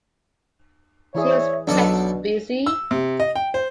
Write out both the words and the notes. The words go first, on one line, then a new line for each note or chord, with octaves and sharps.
She was kept busy.
E3 E4 G#4 C#5 D5 E5
B1 B2 D4 A4 D5
E6
C3
D#5
G5
C5